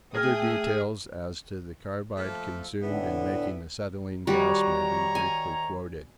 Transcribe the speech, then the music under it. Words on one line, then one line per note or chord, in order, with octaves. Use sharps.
Other details as to the carbide consumed in making acetylene gas may be briefly quoted.
A3 G#4 G5 G#5 D#6 F6 G#6 A#6
F3 A3 A#3 A4
A2 D3 E3 B3
D#3 G3 F#4 C#5 A#5
G#5